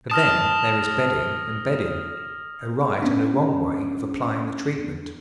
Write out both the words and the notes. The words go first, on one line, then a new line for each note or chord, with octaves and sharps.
But then there is bedding and bedding--a right and a wrong way of applying the treatment.
A5 D#6 F6 A#6
B3 C#4 D4